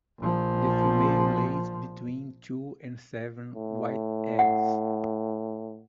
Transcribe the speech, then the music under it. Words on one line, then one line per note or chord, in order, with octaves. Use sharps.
The female lays between two and seven white eggs.
A#1 F3
A2
F#5